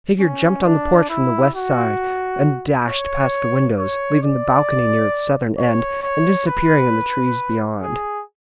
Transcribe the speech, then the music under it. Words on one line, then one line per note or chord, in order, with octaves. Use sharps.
A figure jumped on the porch from the west side and dashed past the windows, leaving the balcony near its southern end, and disappearing in the trees beyond.
C#4
D4
E4
F#4
C#5
C#5
D5
C#5
C#5
B4
G#4